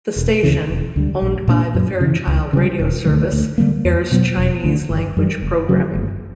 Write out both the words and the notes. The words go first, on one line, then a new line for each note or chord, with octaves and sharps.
The station, owned by the Fairchild Radio service, airs Chinese language programming.
E1
D2 C#3 E3
E1
D2 D3 G3
A#1
A#2 A#3 D4
F#2
C#3 E3
C#2
C#3 G3
E1
D2 D3 F#3
D2
D3 G3 A#3
E2
B2 F#3 B3
E1
D2 D3
G1
F#2 E3 G3
F#1
F#2 C#3 F#3
G1